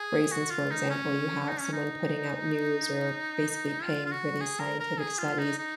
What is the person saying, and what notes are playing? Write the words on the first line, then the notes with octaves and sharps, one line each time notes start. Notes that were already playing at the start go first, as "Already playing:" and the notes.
raisins, for example, you have someone putting out news or basically paying for these scientific studies,
Already playing: G#4
F#4
F4
D#4
C#4
D#4
C#4
D#4
F4
F4
F#4
G#4
A#4
A#4
G#4
F4
D#4
D#4